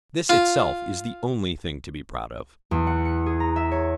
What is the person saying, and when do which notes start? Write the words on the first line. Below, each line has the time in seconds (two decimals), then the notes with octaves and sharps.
This itself is the only thing to be proud of.
0.29 F4
2.71 E2
2.87 F#5
3.05 C#7
3.26 G#4
3.40 A#5
3.56 E5
3.71 C#5